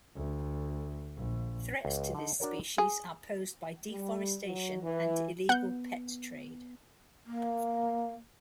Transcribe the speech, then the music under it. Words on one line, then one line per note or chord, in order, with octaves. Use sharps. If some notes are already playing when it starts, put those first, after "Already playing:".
Threats to this species are posed by deforestation and illegal pet trade.
D2
A#1
C#2
D3 D#4
D4 F#4 A#4 C#5
G#4
G3
F#3
E3
B3 F#5 G6
A#3